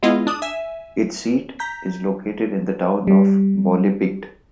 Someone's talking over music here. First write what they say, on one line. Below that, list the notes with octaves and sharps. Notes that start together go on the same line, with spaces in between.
Its seat is located in the town of Bollebygd.
G#3 B3 E4 F4 G#4 D#5
D4 D#6
E5 G#5
A#5 G6 B6
G3